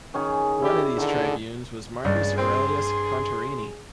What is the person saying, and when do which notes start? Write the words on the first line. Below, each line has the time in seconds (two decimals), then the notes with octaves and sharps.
One of these Tribunes was Marcus Aurelius Contarini.
0.14 D#3 C#4 G#4
0.62 E4 G4 D5
0.98 D3 D#3
2.05 C#2 G2 G#4 D5
2.38 C4 C6